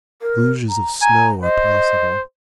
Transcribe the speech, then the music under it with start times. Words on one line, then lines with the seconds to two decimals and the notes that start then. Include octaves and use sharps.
Deluges of snow are possible.
0.22 A#4
0.69 A#5
1.02 G#5 A#5
1.43 C5 D#5